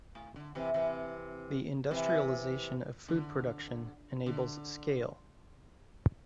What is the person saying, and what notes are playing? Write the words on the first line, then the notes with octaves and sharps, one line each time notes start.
The industrialization of food production enables scale.
A2
D3
C3 E3
C3 E3
C3 E3
D3
D3